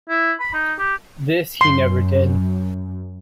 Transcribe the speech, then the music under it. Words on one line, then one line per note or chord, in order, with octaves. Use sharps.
This he never did.
E4
B5
D#4
G4
F#2 C6